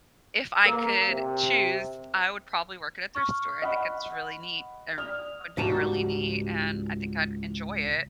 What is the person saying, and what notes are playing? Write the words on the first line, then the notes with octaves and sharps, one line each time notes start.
if I could choose, I would probably work at a thrift store. I think it's really neat and would be really neat, and I think I'd enjoy it.
A#3 A#4
C3
C#6 F6
D#5 F#5 B5
D5 D#6 F6 F7
C#2 G#2 G3 D#4 F#4 A5